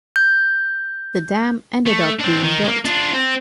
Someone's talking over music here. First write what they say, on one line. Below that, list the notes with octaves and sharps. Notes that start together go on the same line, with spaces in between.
The dam ended up being built.
G6
A3
C4 D4
D#3
G#3 A#3
D4 F4
C4